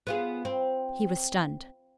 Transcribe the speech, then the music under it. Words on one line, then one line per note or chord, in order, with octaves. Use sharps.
He was stunned.
B3 F4 G#4
C4